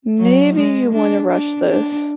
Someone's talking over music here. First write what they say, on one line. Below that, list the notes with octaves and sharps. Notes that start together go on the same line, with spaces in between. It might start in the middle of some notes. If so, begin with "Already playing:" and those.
Maybe you want to rush this...
F#3
G#3
D4
D4
D4